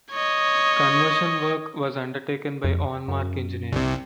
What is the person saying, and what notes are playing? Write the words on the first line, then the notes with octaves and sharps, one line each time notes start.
Conversion work was undertaken by On Mark Engineering.
C#5 D#5
F2
F#2
C2 C3